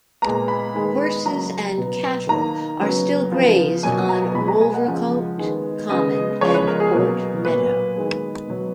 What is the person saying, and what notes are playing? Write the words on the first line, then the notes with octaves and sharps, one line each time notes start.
Horses and cattle are still grazed on Wolvercote Common and Port Meadow.
A#2 G#3 B3 A#5
B5
D#3 G#3 B3
C#3 F#3 A#3 A#5
B2 F#3 B3
D#3 A#3 A#5
C#3 F#3 B3
C#3 F3 B3
B2 F#3 A#3 G#5
A#5
B2 G#3 B3 B5
A#5
G#5
F#5
C#3 F3 G#3
D#3 G#3 B3
C#3 G#3 B3 D#5
C#3 F3 G#3 B3 C#5
B4
A#4
G#4
B2 F#3 A#3 A#4
A#2 F#3 A#3 B4
D#3 G#3 B3
B2 F#3 B3